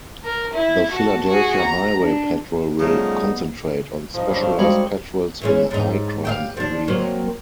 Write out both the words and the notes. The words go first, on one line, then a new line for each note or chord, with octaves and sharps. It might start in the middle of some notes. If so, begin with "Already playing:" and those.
The Philadelphia Highway Patrol will concentrate on specialized patrols in high-crime area.
A#4
E4
F#4 A5
F#4 G#4
A#5
D4
C#3 F3 G3 A3 B3 D#4
F3 D#4
G3 C#4 D4
F3 A3 F5
G3 G#3 C4 D#4 F#4 F5
E3 G#3 C#4
G#2 D#4
G4 E5 F5
F3 D4
F#3 A#3 C4